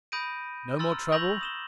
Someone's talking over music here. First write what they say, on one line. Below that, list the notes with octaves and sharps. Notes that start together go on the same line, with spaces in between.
No more trouble?
B5 D#6 G6 A#6 D7 D#7
A#5 C6 E6 F6 A6
C#6 E6 G6 A#6 F7 F#7
D#6 E7 G7